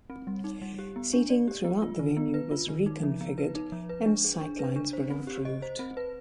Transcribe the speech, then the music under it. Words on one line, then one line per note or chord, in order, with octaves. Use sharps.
Seating throughout the venue was reconfigured and sight lines were improved.
C4
G3
D#4
G3
G4
B3
D4
D5
G4
B3
F4
D#3
B3
B4
F4
D#3
D#4
F3
B3
B4
D#4
F3
B4
D4
G#4
D4
B4
D4
C5
C4
G4
D#5
C5
C4
B4